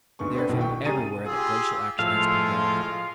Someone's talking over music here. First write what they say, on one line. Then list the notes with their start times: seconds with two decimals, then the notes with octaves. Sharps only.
They are found everywhere that glacial action has prevailed.
0.19 D2 G#2 B3 C#6
0.35 B3 C4 D4 A4 B4
0.48 F#1 B1 B2 D#3 E3
0.61 G5 C#6
0.85 G3 C#4 G#4 A#5 A6 D#7
0.97 C2
1.26 F4 G4 G#4 E6
1.99 A2 F3 G#3 F4 F5